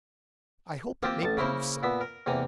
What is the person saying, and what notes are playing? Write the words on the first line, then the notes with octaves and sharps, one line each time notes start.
'I hope it may prove so.
A#3 C4 F4 G4 C5
A1 A5
C#3 A#3 E4 A#4 C5
A#2 B3 E5
A#4
E2 C3 A#3 G#5 A#5